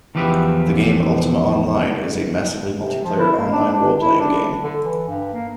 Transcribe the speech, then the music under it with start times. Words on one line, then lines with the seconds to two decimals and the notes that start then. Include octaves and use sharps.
The game, "Ultima Online", is a massively multiplayer online role-playing game.
0.15 E2 E3 F3 G4 B4 E5
2.82 C3
3.04 F3
3.19 E4
3.37 A#3
3.52 D4
3.73 D4
4.01 E4
4.20 D4
4.62 D3
4.82 E3
5.08 G2
5.33 A#3